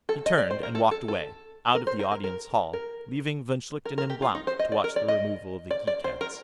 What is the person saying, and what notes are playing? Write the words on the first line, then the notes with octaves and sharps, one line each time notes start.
He turned and walked away, out of the Audience Hall, leaving von Schlichten and Blount to watch the removal of the geek-heads.
A4
D#5
D5
C5
A#4
A4
A4
A4
A#4
C5
A#4
A#4
A#4
A#4
A#4
A#4
G4
F4
D#4
C5
D#5
D5
A#4
D5
D#5
D5
D5
C5
A#4